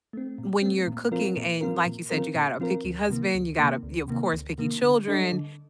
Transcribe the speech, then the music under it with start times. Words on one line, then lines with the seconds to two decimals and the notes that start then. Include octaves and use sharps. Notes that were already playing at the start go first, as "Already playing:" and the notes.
when you're cooking and, like you said, you got a picky husband, you got a you of course, picky children.
0.13 A3 C4
0.38 A#2
0.62 A3 C4
0.87 A#2
1.11 F3 C4 F4 A#4
1.37 A#2
1.61 F3 C4 F4 A#4
1.86 A#2
2.10 F3 C4 F4 A#4
2.35 A#2
2.59 F3 C4 F4 A#4
2.84 D2
3.09 C3 D#3 A#3
3.35 D2
3.59 C3 D#3 A#3
3.83 D2
4.08 C3 D#3 A#3
4.33 D2
4.58 C3 D#3 A#3
4.82 D3
5.08 G3 D4 A4 D#5
5.32 D3